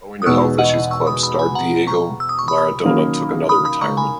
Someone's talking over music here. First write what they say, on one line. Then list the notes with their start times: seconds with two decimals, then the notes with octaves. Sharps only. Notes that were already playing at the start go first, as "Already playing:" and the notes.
Owing to health issues club star Diego Maradona took another retirement.
0.22 D#6
0.26 E2 B2 G#3 B3 D#4 C#6 E6
0.58 D#5 F#5
0.91 C#6 E6
1.07 B5 D#6
1.23 B5 D#6
1.39 G#5 B5
1.55 F#5 A#5
1.87 A#5 C#6
2.20 E6
2.29 D#6
2.39 C#6
2.48 B5 D#6
2.84 D#3 F#3 A#3 C#4
3.49 B5 D#6
3.65 B5 D#6
3.81 A#5 C#6
3.97 G#5 B5